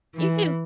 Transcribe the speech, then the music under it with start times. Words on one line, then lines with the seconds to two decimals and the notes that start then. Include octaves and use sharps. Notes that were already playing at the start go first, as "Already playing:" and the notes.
You too.
0.16 E3